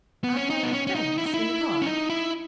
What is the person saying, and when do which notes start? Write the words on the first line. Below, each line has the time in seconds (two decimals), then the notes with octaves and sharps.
"I had friends in the car."
0.24 B3
0.37 C#4
0.50 D#4
0.63 B3
0.73 C#4
0.87 C#4
0.95 D#4
1.18 E4
1.26 D#4
1.34 E4
1.82 C#4
1.86 D#4
2.10 E4